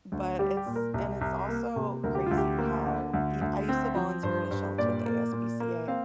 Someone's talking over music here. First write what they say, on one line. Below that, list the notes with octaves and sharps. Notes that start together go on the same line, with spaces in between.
But it's and it's also crazy how e I used to volunteer at a shelter at the ASPCA,
D2
G3 G4
G4
A#2
A#4
C2
C2
A#3
C3
D2 A#4
G4
D2 F4
G4
A#3
D3
D2
D2
C4
F3
G2 C5
G2
A#2 D5
A#3
A#2
A#3
C4 F5